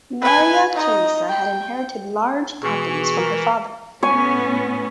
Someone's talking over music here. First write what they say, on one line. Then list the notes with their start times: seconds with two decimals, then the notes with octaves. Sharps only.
Maria Theresa had inherited large properties from her father.
0.22 B4 G#5
0.74 D#4 D#5
1.29 G5
2.63 B2 E3 G#4 C#6
3.17 A#4
4.03 A2 B3 C#4 C#5 G#5